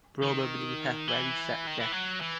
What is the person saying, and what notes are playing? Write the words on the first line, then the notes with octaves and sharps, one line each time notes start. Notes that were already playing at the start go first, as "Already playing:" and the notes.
Probably have very sad death.
D#3
E3
D#3
E3
F#3
E3